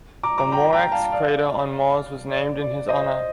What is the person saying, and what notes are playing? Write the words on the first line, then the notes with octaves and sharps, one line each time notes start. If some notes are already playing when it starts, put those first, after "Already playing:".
The Moreux crater on Mars was named in his honor.
A#5 D6
A#5 D6
G5 A#5
G5 A#5
F5 A5
D5 F5
D5
D5
C5 D#5